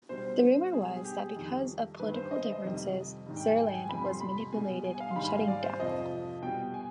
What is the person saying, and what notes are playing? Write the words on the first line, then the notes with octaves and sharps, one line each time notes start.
The rumour was that because of political differences Surland was manipulated in shutting down.
B2 G3 C5
B2 G3 G#4
G#4
G4
F2 D#3 G3
G2 D#3 G3 B4
C5
D#5
D#5
F2 C3 D#3 G3
G#2 D#3 G3
G5
G#5
G5
G#5
F2 C3 G3 B5
C6
B5
B2 G3 G#5
G#5
F5
C6
G#2 D#3 G3 B5
G#5
F5
D5
C5
F2 C3 F3 D#5
B2 G3 G5
G#5